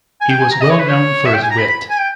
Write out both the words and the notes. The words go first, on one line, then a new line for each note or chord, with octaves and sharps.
He was well known for his wit.
G#5
G5
G#5
A#5
D#5
C#5
B4
C#5
E5
G5
G#5
A#5
B5
B5
G#5
G5